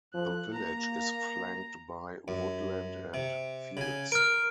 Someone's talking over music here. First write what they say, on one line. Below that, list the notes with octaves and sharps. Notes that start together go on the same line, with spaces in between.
The village is flanked by woodland and fields.
F3 A4 F#6
A#3 A#5
F#2
C3
C#3 G#5
A#4 F6 D7